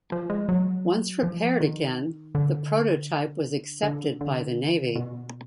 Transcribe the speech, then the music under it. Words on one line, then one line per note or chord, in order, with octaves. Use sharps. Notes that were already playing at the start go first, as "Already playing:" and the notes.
Once repaired again, the prototype was accepted by the Navy.
F3
G#3
F#3
F3
D#3
D3
D3
D3
B2